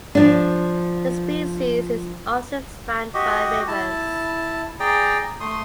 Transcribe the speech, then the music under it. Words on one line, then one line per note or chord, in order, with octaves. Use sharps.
The species is often found by rivers.
F3 D4
F#4 G4 D#5
E4 A5
G#4 D5 G5 A#5
A3 C6 D#6